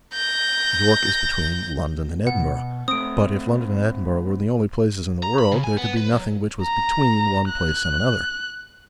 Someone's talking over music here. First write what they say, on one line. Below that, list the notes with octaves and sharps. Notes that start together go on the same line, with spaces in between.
York is between London and Edinburgh; but if London and Edinburgh were the only places in the world, there could be nothing which was between one place and another.
G6 A#6
B2 F#5
A3 C4 D#6 D7
A#5
B5
C#3
G#5
B3
B4
F#3
A#5
F#6